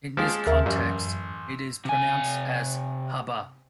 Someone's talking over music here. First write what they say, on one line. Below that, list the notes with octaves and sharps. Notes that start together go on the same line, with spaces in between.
In this context, it is pronounced as "h-bar".
F3 G#3 D6
D#2 A#4 E5
A1 F#2
C3 G#5